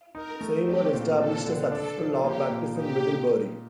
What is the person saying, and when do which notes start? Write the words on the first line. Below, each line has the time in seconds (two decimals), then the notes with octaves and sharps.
Seymour established a successful law practice in Middlebury.
0.15 D#4 A#4
0.41 A3
0.66 C4 G4
0.93 A#2
1.19 D4 A4
1.46 D3
1.71 D4 A4
1.97 F3
2.24 A#3 G4
2.50 A#2
2.76 D#4 G4